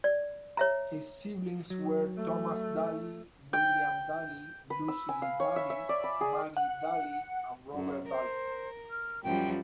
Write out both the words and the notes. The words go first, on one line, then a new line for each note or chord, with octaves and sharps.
His siblings were Thomas Daly, William Daly, Lucy Daly, Maggie Daly, and Robert Daly.
D5
C#5 E5 A#5
F#3
A3
G5
B4
E6
G#5
F5
C#5
E5
E5
D5
B5
G#4
F#5
F#2
A#4 C5
F6
F#2 F3 G3 G5